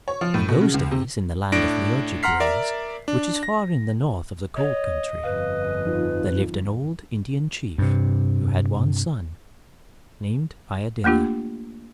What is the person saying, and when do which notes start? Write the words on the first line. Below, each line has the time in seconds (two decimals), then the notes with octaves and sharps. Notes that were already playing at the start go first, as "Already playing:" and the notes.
In those days in the land of the Ojibways, which is far in the north of the cold country, there lived an old Indian chief who had one son, named Iadilla.
0.08 C#5
0.21 F3
0.34 A2
0.48 B2
0.61 C#3
0.74 C#2
0.91 C3
1.52 A2 D4 A#6 D7
2.23 F#5 A#5 C6 F6 B6 C7
2.40 A#4 D5 E5 A#5
3.08 D4
3.43 A#6
4.57 C#5 D#5
5.24 G1 F2 B4 F5
5.85 F3 D#4 F4
7.78 G2 C3
11.04 A3 A#3 D4 F4 G4